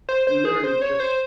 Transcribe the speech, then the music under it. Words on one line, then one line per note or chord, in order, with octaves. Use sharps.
literally just,
C5
C5
G#4
C5
C#5
C5